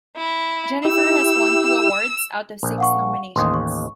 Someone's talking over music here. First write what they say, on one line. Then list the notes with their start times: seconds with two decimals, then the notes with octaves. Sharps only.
Jennifer has won two awards out of six nominations.
0.16 E4
0.85 E4 G4 E6
2.63 A#1
2.78 F5 F#5 C#6
3.36 A1 D#2 C6 D#6
3.54 C#6